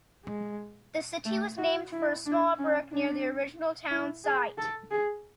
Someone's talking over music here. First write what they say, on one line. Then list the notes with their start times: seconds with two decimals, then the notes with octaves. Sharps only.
The city was named for a small brook near the original town site.
0.25 G#3
1.25 A3
1.58 F#4
1.92 E4
2.26 D4
2.59 C#4
2.91 D4
3.91 E4
4.25 G#4
4.58 A4
4.91 G#4